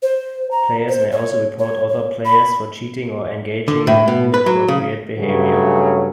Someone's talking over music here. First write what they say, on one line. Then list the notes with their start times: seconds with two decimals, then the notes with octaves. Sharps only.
Players may also report other players for cheating or engaging in inappropriate behavior.
0.02 C5
0.51 A#5
0.89 C5
1.12 C#5
1.59 C#5
1.89 C#5
2.25 B5
3.68 D3
3.87 A2
4.08 B2
4.34 B4
4.46 F#3
4.68 C#3
5.18 G2 C#3 F#3 A3 C#4